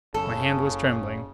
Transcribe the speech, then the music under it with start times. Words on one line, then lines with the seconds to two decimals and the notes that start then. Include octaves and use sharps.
My hand was trembling.
0.14 F#1 C#3 A4